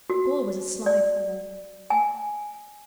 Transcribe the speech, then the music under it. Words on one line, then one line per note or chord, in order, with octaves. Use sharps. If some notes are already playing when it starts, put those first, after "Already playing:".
Gore was a sly fellow.
F#4
D5
G#5